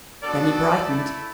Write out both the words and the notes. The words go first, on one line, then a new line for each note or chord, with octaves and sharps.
Then he brightened.
B3 D4 F#4 A4 D5
A3 E4